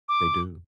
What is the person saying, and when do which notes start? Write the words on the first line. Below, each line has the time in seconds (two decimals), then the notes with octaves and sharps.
They do.
0.09 D6